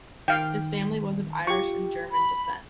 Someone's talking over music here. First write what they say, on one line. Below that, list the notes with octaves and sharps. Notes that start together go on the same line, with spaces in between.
His family was of Irish and German descent.
D#3 F5 G5
F4 G4 C#6
B5